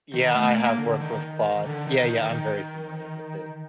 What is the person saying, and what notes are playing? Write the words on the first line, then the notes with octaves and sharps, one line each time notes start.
Yeah, I have worked with Claude. Yeah, yeah, I'm very familiar with it.
D#3
A3
A#3
D3
D#3
D3
D#3
D#3
D#3